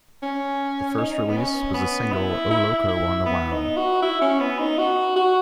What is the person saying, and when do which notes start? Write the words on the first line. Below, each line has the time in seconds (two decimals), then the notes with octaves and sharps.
Their first release was the single "O'Locco" on the Wau!
0.23 C#4
0.98 D#4
1.29 B3
1.37 C#4
1.74 B3
2.12 E4
2.51 E4
2.88 E4
3.26 B3
3.52 D#4
3.77 F#4
4.02 E4
4.21 C#4
4.40 B3
4.59 D#4
4.79 F#4
5.16 F#4